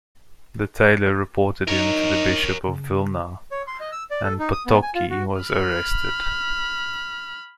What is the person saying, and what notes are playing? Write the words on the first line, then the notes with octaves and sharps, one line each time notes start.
The tailor reported him to the Bishop of Vilna, and Potocki was arrested.
D#4 A#4 C#5
C#3
C#5
C6
D#5
E6
D5
A4
D#4
D#6
B3
G#5
F4
F#4
B5 F6